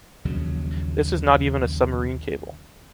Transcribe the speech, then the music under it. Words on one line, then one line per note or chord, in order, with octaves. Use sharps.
This is not even a submarine cable.
A#1 D#2 C#3 F#3